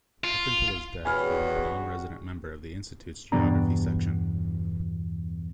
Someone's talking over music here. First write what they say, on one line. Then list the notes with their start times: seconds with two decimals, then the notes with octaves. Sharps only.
Up until his death he was a non-resident member of the Institute’s geography section.
0.24 F4
1.05 E2 C#3 G3 F#4 G#5 B5 F6
3.32 E2 G2 B2 D4 A#5